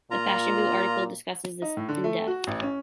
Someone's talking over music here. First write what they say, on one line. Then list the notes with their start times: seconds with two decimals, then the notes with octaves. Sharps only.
The fashion boot article discusses this in depth.
0.11 A#2 F4 A#5
1.62 D#4
1.77 A2
1.89 D3
2.04 A3
2.27 F#4
2.47 A1
2.63 C#4